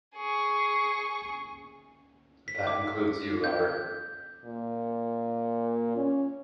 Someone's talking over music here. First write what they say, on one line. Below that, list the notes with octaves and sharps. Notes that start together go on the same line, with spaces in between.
That includes you, Robert.
G#4 C#6
B6
D6
G6
A#2
C#4